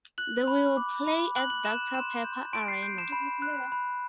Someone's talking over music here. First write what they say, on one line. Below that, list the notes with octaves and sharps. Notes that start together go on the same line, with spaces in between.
They will play at Doctor Pepper Arena.
F#6 F#7
B5
D6
B5
F#6 F#7
F#7
F#6 E7
C6 E7
G6
C6 D7
C7
G6 D7
E7
B5
F#6
B5